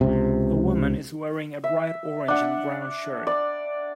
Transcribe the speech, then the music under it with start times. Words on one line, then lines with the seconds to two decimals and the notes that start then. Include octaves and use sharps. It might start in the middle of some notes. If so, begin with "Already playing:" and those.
A woman is wearing a bright orange and brown shirt.
0.01 C#2 C3
1.64 E5
2.28 D4 F#5
3.27 D5